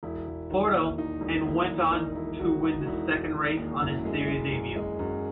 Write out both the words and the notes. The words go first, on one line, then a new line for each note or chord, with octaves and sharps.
Porto, and went on to win the second race, on his series debut.
E1 E4
E1
D#3
D#2
D#3 D#4
E1
D#2 E4
E1
D#3 D#4
E1 E4
E1 F#4
E1 D#4
F#4
E1 E4
E1
E1
D#4
D#2
F#2 E4
G#3
G#3
F#2
G#3
F#2